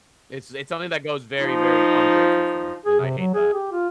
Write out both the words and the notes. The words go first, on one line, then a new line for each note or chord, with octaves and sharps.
It's it's something that goes very, very ungrateful for, and I hate that.
F3 D#4
G#4
C3
F#3
G#4
G4
F4